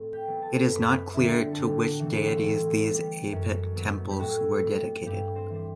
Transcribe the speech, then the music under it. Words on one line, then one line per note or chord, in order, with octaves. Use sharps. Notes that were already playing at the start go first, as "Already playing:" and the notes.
It is not clear to which deities these Apit temples were dedicated.
Already playing: A2 A3 C4 A4
G4 G5
F#3 B3
A4 A5
F#2 B4 B5
D3 G3 C4 E4 E5
A4
A2 G4
G4
F#4
E3 A3 C4
G4
F#4
G4
A2
G3 B3
F#2
F#3 B3
G4
A2 F#4
G3 B3
G2 G4
C4 C5
E3 G3 C5